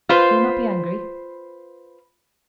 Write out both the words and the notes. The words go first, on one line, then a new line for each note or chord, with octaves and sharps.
"You will not be angry?"
F4 B4 C5